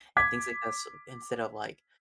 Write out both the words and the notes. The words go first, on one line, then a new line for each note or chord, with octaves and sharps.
and things like that, so instead of, like
D6 G#6 B6